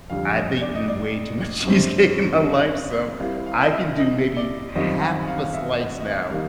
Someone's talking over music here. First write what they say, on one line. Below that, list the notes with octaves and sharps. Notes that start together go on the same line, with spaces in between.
I've eaten way too much cheesecake in my life, so I can do maybe half of a slice now,
F2 D3 G3 F5
D#5
D5
D#5
D5
F#2 D3 G3 C4
D#5
G3 C4 E4 F5
F5
D#5
E5
D#5
D5
F#2 D#3 G3 C4 F4 D#5
F#5
F5
F5
E5
D#5
D#5
E5
D#3 G3 A#3 F5